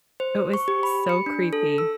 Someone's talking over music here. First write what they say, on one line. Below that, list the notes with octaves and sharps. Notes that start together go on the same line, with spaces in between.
It was so creepy,
C5
C#6
G4
B5
C#7
D4
A4
E6